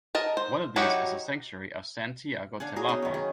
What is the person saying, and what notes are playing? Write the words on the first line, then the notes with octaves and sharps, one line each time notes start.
One of these is the Sanctuary of Santiago Tilapa.
A#4 D#5 A5
C5
F#3 D#4 E4 F#4 G4
D4 F5 F#5 G#5
F#4 G#4 C#5 A#5
B3 C#4 D#4
D#3 F#3 A#4 B4
G#4